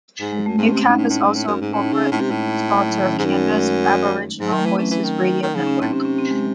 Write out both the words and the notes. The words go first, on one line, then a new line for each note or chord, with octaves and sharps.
Newcap is also a corporate sponsor of Canada's Aboriginal Voices radio network.
G#2
G#3
F#2 A3
G#2 C4
C#4
C4
C3
C#4
A2 D#4
A2 C#4
A2
G#2
A2
F#2
G#2
A2 C#4
D#4
C#3 C#4
C4
A2 G#3
C3
A2
F#3
D#3
C#4
G#2 D#4
F#2 C#4
A3
G#3
G#2 F#3
D#3 F#3
A3
E3 C4
E3 C#4
E3
D#3
D#3
C#3 D#4
C#4
A2 C4
C3 C#4
C#4
C4
G#3